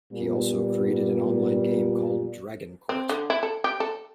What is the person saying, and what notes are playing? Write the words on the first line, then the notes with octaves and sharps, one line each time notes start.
He also created an online game called Dragon Court.
A#2 G3 B3
C4
D3
E4
A4
G4
A4